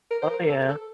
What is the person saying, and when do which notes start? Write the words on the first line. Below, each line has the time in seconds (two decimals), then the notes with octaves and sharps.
Oh, yeah.
0.11 A#4
0.22 C5
0.30 A#4
0.49 A4
0.68 A4